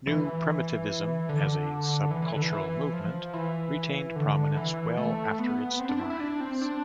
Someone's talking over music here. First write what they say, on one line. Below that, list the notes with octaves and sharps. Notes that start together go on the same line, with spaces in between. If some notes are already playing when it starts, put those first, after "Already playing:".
New Primitivism as a sub-cultural movement retained prominence well after its demise.
E3
D3
E3
E3
D3
E3
E3
F3
E3
D3
E3
A3
B3
C4
D4
E4
E4
D4
C4
D4